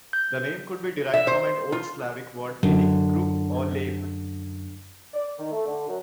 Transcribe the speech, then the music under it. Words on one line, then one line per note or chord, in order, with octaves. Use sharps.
The name could be derived from an Old Slavic word meaning "crooked" or "lame".
G6
E5
C5
F4
F#2 D3
D5
D#3
A3
D3
F#2